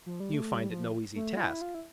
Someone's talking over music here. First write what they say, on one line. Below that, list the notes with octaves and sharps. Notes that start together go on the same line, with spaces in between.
You find it no easy task.
F3
G3
A3
G3
F3
A3
F4
E4
F4
E4